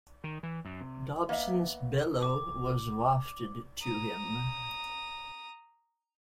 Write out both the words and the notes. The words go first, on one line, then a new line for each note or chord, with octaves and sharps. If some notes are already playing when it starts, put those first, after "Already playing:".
Dobson's bellow was wafted to him.
D#3
E3
F#2
C3
A#3 B3 D#5 E5
D6
A#5 D#6